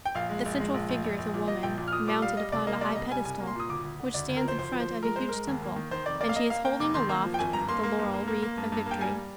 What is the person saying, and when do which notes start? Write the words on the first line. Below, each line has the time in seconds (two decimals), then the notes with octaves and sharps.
The central figure is a woman, mounted upon a high pedestal, which stands in front of a huge temple, and she is holding aloft the laurel wreath of victory.
0.05 G5
0.15 A#1 F5
0.30 G#3
0.46 A#1
0.60 G#3
0.74 A#1
0.89 A#1
1.04 A#1
1.18 A#1
1.34 A#2
1.48 A#2 D#5
1.63 A#1 G5
1.78 A#2
1.88 F6
1.92 A#2 D#6
2.07 G3 D6
2.22 G3 F5
2.37 G3 D#5
2.52 C2 D5
2.67 A#3 D#5
2.81 G3 D5
2.96 C2 D#5
3.11 G3 G#5
3.25 C2 G#5
3.40 A#3
3.47 C6
3.55 A#2 D#6
3.69 D2 D6
3.85 D2
4.00 D3
4.14 D2 D5
4.29 D2
4.37 A#4
4.43 F3 C5
4.59 D2 C5
4.73 F3
4.80 C5
4.88 F3
5.03 G#3 A#4
5.16 G#3 C5
5.29 G#3 A#4
5.47 D#2
5.63 A#3
5.76 D#3
5.91 D#3 C5
6.06 F1 D5
6.20 A#3 D5
6.29 F5
6.36 A#3 D#5
6.50 A#3 F5
6.65 A#3 G5
6.79 F1 D6
6.94 D#3 C6
7.09 A#3 A#5
7.25 F3
7.34 G5
7.39 G#1 G#5
7.53 G2 A#5
7.68 A#3 C6
7.83 A#3
7.99 G2
8.14 A#3
8.28 A#3
8.43 A#3
8.58 G2
8.72 G2
8.86 A#3 G5
9.01 G3 G#5